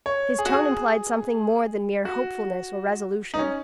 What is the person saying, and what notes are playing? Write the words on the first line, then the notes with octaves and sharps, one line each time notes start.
His tone implied something more than mere hopefulness or resolution.
C#5
G#4
F#4
G#4
F#4
D#4
C#4